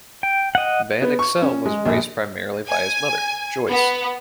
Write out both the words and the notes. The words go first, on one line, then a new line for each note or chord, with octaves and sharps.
Van Exel was raised primarily by his mother, Joyce.
G5
D#5 F#5
B3
C#6
C#4
G#3
A#1
G#5
B3